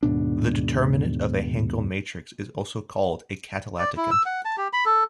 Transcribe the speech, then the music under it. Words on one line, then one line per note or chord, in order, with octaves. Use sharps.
The determinant of a Hankel matrix is called a catalecticant.
D#2 G#2 B2 D4
D5
E4
E6
F#5
A5
G4
B5
A4